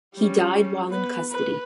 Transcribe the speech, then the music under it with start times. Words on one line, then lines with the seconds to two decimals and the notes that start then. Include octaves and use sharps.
He died while in custody.
0.16 G3 C#4
0.88 B3 B4
1.30 B4